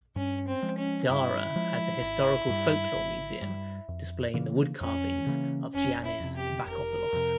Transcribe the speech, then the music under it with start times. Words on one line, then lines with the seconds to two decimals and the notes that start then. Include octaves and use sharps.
Dara has a historical folklore museum displaying the woodcarvings of Giannis Bakopoulos.
0.16 G2 C#4
0.47 C4
0.63 F3 G#3
0.78 C#4
1.09 G2 E4
1.56 F3 G#3
2.01 G#1
2.49 G2 G3
2.95 G#1
3.42 G2 G3
3.88 F2
4.34 C#3 E3 A#3
4.80 F2 C#4
5.27 C#3 E3 A#3
5.74 F1 C#4
6.05 E4
6.20 F2 C3
6.36 G4
6.66 F1 A#4
7.13 F2 C3